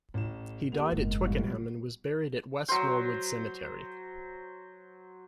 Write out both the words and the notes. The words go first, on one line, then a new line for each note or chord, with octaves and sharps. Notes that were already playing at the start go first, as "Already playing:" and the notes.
He died at Twickenham and was buried at West Norwood Cemetery.
A1 A2 E7
E2 A#3 G4 F7
F#1 G#2 G#3
B2 F3 G3
F#3 C5